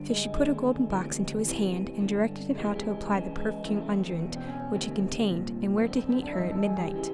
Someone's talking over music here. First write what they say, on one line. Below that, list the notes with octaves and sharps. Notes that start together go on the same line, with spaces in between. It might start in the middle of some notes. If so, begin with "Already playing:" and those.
So she put a golden box into his hand, and directed him how to apply the perfumed unguent which it contained, and where to meet her at midnight.
Already playing: G2 D3
G#3
D#2 D3 G#3
D2 C3 E3
E2 C3 E3
G2 D3
C#2 C3 E3 G#3
G#3
C#2 C#3 E3
G#3
E2 C#3 E3 A3
G#3
A3 C4
B3
E2 B2
C4
C#4
D2 C3 D#3 C4
C2 A#2
B3
F#2 D3 C4
C4
B3
D4
E4
G2 E3 D#4
A4
G#4
G4
C#3 E3